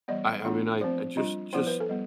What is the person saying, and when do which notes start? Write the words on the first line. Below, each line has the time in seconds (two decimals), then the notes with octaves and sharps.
I I mean, I I just just
0.08 E3 G3 B3 D5
0.44 E3 B3 D4 F4
0.81 F3 A3 C4 C5
1.17 G3 D4 F4
1.53 F3 B3 E4 C5
1.67 B4
1.80 A4
1.89 G3 B3